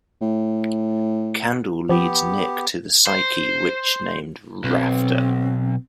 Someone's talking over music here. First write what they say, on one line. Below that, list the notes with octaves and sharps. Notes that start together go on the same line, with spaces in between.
Candle leads Nick to the Psyche witch named Rafter.
A2
F3 B3 G4
C5
B1 C4